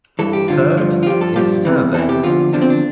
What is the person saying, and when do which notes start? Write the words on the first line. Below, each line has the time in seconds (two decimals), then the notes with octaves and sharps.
Third, is survey.
0.19 G2 E3 A4
0.33 G4
0.48 G2 D3 F3 F4
0.77 G2 D3 F3
1.03 F4
1.06 G2 F3 G4
1.21 A4
1.36 G2 F3 G4
1.65 E2 C3 E3
1.94 E2 C3 E3 A4
2.09 G4
2.23 E2 D3 F3 F4
2.53 E2 D3 F3 D4
2.61 C4
2.70 D4